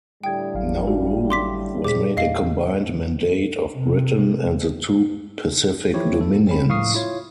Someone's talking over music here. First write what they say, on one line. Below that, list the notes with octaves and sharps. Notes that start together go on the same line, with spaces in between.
Nauru was made a combined mandate of Britain and the two Pacific Dominions.
A2 D3 G3 G5 D#6 G#6
G#1 F#3 F5
F#4
C6 D6 B6
A#2 G#4 C5 D6 B6
E2 D#5 F5 C7
C3
E3 F3 E4 G4 C#5
A4
C4 C#4 B5
A2 F3 F5 C#6 D#6 C7
E4 F4 C#5